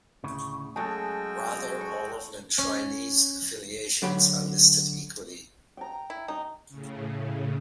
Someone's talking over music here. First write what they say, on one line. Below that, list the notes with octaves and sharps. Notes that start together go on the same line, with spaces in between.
Rather, all of an enshrinee's affiliations are listed equally.
D2 A2 C#3
F#3 G#3 A3 C#4 F#4 G#4 G5 A5
C#6
C#4
D3 F#3 G5 B5
G5 A#5
E4
D#4 D#5 A#5
A2 C#3